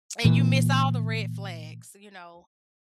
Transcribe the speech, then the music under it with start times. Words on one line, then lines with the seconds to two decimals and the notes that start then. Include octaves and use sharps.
and you miss all the red flags, you know?
0.25 A#2 E3